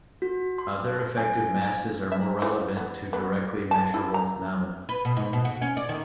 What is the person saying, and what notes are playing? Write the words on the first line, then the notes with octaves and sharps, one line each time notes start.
Other effective masses are more relevant to directly measurable phenomena.
F#4
C6
G#5
E5
E3
B3
B3
A5
E4
A#5
B4
B2
G#2
B2
F#4
C#4
D5
D#3